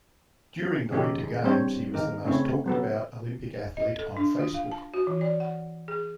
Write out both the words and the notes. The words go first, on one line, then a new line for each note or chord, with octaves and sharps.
During the winter games, he was the most talked about Olympic athlete on Facebook.
C#3 E3 C#4 D#4 G4 A4
G#4
G3 C4 D4 C5 C#5
D#3 D#4 A#4
C#3 A3 C4 C#4 E4 C#5
F#3 B3 A4
D#5
A4
D4
F4
F5
A5
F#4
E3
D5
F#5
G#4